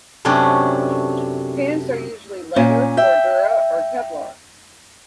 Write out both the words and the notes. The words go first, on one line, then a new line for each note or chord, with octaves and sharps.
Pants are usually leather, cordura, or Kevlar.
F#2 C3 A3 C#4 D4
A#2 C#4
E5 G5